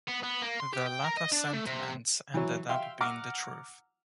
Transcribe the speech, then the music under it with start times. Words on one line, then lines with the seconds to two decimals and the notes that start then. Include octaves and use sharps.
The latter sentiments ended up being the truth.
0.08 B3
0.23 B3
0.42 A#3
0.60 C6
0.73 G4
0.86 G5
1.04 A#4
1.17 D#5
1.32 D4
1.53 A3
1.66 C3
2.34 E3 F#3
2.69 E5 F5 G5 C6
3.01 F#5 A#5 D6 E6 F6